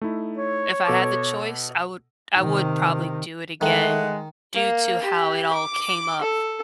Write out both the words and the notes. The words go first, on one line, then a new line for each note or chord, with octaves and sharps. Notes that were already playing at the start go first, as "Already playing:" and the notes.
if I had the choice, I would I would probably do it again, due to how it all came up
A3 D#4 E4
C#5
B2 A4 D6
C3 D#3
D#3 G#3 A3 F#5
A#3
G4
D6
A4